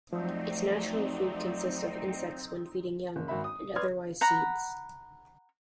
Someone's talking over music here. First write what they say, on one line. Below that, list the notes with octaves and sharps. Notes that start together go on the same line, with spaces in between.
Its natural food consists of insects when feeding young, and otherwise seeds.
F2 F3 F#3 A3 C4 D#4 D5
F#1
G#1 F#4 E5 B5
D#6
B4 D5 C6 D#6 F6 G#6
F#5 A#5 B5